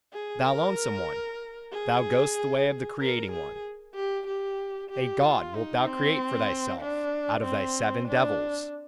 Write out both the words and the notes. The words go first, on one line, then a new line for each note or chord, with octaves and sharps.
Thou lonesome one, thou goest the way of the creating one: a God wilt thou create for thyself out of thy seven devils!
G#4
A#4
G#4
A#4
G#4
G4
G4
G4
F4
D#4
C4
D4
C4
D4